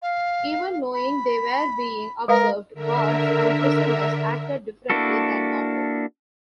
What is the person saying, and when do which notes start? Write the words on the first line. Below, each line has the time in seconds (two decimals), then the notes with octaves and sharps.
Even knowing they were being observed, guards and prisoners acted differently than normal.
0.02 F5
0.93 B5
2.28 G#3 A#4 B4 F5
2.74 D3 A#4 E5
4.90 A#3 D4 E4 F#4 A4